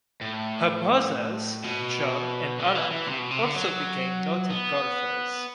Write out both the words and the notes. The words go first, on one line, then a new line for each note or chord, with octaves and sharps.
Her brothers John and Allan also became noted golfers.
A2
B2
D3
E3
E3
C3
B2
C3
D3
F#3
B3